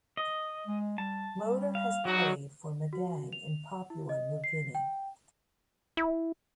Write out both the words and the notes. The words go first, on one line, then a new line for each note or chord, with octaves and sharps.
Moeder has played for Madang in Papua New Guinea.
D#5
G#3
G3 A5
G3
F5
E2 F#3 D#4 F#4
F#4
F7
E4
D#5
C7
G5
E4